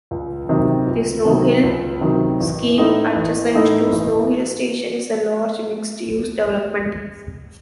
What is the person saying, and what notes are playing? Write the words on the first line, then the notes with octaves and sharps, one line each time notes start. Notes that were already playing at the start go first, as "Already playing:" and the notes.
The Snowhill scheme adjacent to Snow Hill station is a large mixed-use development.
C#2
C3 D#3 F#3
C#2
C3 D#3 F#3
C#2
C3 D#3 F#3
A1
A2 A3 D#4
A1
A2 A3 D#4
A1